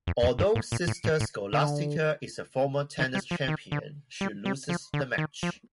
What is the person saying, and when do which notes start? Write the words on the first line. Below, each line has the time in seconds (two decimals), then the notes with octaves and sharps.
Although Sister Scholastica is a former tennis champion, she loses the match.
0.07 F2
0.23 F2
0.39 G2
0.55 A2
0.72 A#2
0.87 A2
1.04 A2
1.20 A2
1.53 D3
2.99 D#3
3.15 G3
3.31 F3
3.48 D#3
3.72 D3
4.21 G3
4.45 G3
4.69 F3
4.94 D3
5.18 D#3
5.43 F3